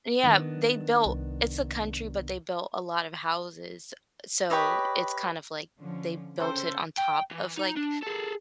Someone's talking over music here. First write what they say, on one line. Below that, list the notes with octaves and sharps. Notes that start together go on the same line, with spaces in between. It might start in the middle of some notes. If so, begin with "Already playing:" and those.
Yeah. They built it's a country, but they built a lot of houses. So it's kind of, like, they built it on top of, like,
D#3 B3 D4
C2
G4 B4 C#5 D#5
D3 F3 C#4
C#3 C4 A4 C5
G5
E3
D#4
D4
G#4 A4